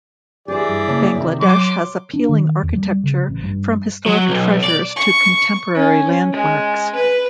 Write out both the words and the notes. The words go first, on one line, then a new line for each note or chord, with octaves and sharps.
Bangladesh has appealing architecture from historic treasures to contemporary landmarks.
E3 G4 G#4 C5 D5
G2
C#3 A#3 A5
C3 D#3 E5
F#3 C6 D6
D4
D#3
E2
G3
C#3
A1
G2
F#3
B1
D5
C#6
C#4
G#3
B4